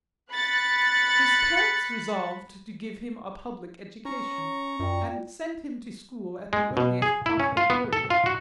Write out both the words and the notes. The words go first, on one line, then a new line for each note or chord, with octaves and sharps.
His parents resolved to give him a public education, and sent him to school at the earliest possible period.
B5 F#6 A6 C#7
C#4 A#5 C#6
F#2 F4 D5 G5
G#3
B2
G#4
E4
C#4
F4
B3
A4
F4
F#4